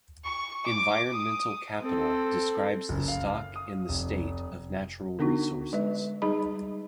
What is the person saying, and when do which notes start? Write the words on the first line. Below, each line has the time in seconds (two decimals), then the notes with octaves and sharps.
Environmental capital describes the stock and the state of natural resources.
0.25 C#6
0.65 D6
1.13 D#6
1.82 C4 A4
2.89 F#1
3.08 F5
3.56 D#6
3.89 F1
5.19 D3 B3 D4 D#4 F#4
5.73 G#3 B4 E5
6.22 G3 D#4 G#4 D#5 B5